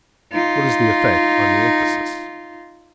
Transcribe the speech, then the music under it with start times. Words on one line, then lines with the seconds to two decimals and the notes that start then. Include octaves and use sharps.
What is the effect on the emphasis?
0.32 D#4 F4